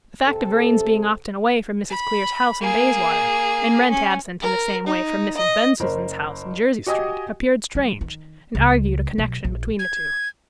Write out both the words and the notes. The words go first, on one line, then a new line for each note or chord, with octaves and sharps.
The fact of Vrain's being often away from Mrs. Clear's house in Bayswater, and Wrent absent in the same way from Mrs. Bensusan's house in Jersey Street, appeared strange, and argued a connection between the two.
C3 A4
B5
A#3 G#4
C#4
A#4
D#4
D#5
F#1 A#4 C5
F#4 G4 D#5 G#5 D#6
G3
D#3
C#2
B1
A#1
G#6